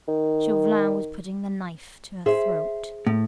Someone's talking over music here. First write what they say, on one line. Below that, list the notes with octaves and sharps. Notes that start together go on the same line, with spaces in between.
Chauvelin was putting the knife to her throat.
D#3
G#4 C5 E5
A2